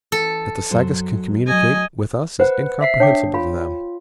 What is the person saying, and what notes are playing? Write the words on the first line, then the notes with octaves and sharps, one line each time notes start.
That the Sagoths can communicate with us is incomprehensible to them.
E3 A4
F#2 F#3 C5
F#3 A3 D#5 G#5
B4 C5 F#5
E5 B6 C7
D4 C#5 G5 D6
F4 F5 B5